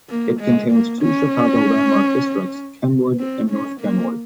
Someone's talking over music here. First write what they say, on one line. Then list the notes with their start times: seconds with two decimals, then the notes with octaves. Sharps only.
It contains two Chicago Landmark districts, Kenwood and North Kenwood.
0.09 A#3
0.40 G#3
0.71 A#3
1.01 C#4
3.19 C4
3.50 C#4
3.81 A#3